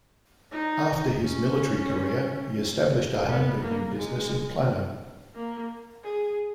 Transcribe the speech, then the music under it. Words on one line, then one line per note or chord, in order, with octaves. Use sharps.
After his military career, he established a homebuilding business in Plano.
D#4
C#4
B3
A#3
G#3
A#3
G#4